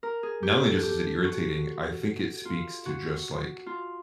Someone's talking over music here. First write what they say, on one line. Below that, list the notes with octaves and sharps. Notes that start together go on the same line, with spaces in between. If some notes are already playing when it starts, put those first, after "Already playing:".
not only just is it irritating, I think it speaks to just like
A#4
G#4
G4
A4
G4
F#4
F4
F#4
F4